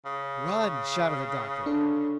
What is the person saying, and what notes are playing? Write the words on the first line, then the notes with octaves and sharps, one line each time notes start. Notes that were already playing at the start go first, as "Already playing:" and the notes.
"Run!" shouted the doctor.
C#3
D4 A4